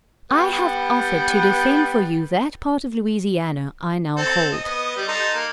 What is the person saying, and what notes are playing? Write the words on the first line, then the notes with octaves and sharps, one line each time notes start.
I have offered to defend for you that part of Louisiana I now hold.
G3 B3
C4 A4
D#5
B3 D#5
G3
D#4 A4 C6
A#3